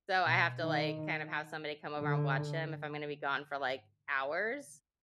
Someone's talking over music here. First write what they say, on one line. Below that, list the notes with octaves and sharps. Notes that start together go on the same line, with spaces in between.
so I have to, like, kind of, have somebody come over and watch him if I'm gonna be gone for, like, hours,
B2
D#3
D3